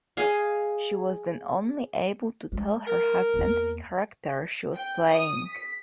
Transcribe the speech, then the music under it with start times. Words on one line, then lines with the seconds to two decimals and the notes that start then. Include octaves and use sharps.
She was then only able to tell her husband the character she was playing.
0.17 G#4 D#5 F5 G#5
2.52 G#3
2.87 A#4
3.34 E2 A#3
4.75 G5
5.11 D#6
5.49 B6